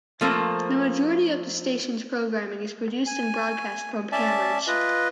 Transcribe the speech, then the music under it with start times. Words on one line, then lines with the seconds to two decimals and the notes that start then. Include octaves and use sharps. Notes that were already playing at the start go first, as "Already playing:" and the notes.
The majority of the station's programming is produced and broadcast from Cambridge.
0.21 F3 A3 A#3 C4
3.06 G#5
4.12 C#4 D5 E5 A5
4.67 F4 B4 D#5